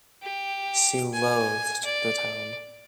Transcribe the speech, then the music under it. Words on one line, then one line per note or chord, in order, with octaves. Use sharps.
She loathed the town.
G4
G#5
D5